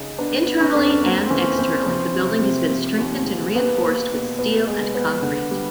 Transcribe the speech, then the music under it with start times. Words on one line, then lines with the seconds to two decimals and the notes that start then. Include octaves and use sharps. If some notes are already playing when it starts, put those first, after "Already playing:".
Internally and externally the building has been strengthened with reinforced steel and concrete.
Already playing: C#3 D#4
0.18 B3 D4
0.46 B3
0.61 C#4
0.75 F2 D4
0.89 C#4
1.02 A#3 C4
1.26 C4
1.30 E3 C#4
1.59 E3 C4
1.86 F3
2.15 C3
2.42 C3
2.71 F3
2.98 D#2
3.26 D#2
3.55 A#3 B3
3.82 A#3
4.11 B2
4.39 B3
4.67 G#3
4.95 B3
5.23 D3
5.51 G3